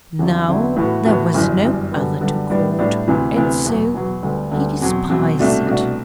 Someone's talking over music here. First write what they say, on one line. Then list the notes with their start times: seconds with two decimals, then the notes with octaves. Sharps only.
Now there was no other to court, and so he despised it.
0.19 E2 D3 F#3 C4 E4
0.48 E2 D3 F#3 C4 E4
0.76 A2 E3 B3 F#4
1.05 A2 E3 B3 F#4
1.34 G1 F#2 E3 G3
1.63 G1 F#2 E3 G3
1.92 F#2 D3 G3 B3
2.21 F#2 D3 G3 B3
2.50 A2 G3 B3 D4
2.79 A2 G3 B3 D4
3.07 D2 C3 E3 B3
3.36 D2 C3 E3 B3
3.65 E2 B2 F#3 B3
3.94 E2 B2 F#3 B3
4.23 D2 D3 G3 B3
4.51 D2 D3 G3 B3
4.81 E2 B2 F#3 C4
5.10 E2 B2 F#3 C4
5.38 C2 B2 A3 D4 F#4
5.67 C2 B2 A3 D4 F#4